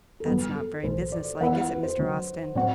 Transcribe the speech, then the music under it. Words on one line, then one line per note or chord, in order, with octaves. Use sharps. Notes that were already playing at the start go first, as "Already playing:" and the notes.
That's not very business-like, is it, Mr. Austin?
A4
A1 G2 F#3 B3 B4
A4
B1 A2 E3 C5
D5
E3 B3 E4 F#5
F#5
B4
C5
D2 D3 F#3
A2 F#3 C4 F#4 D5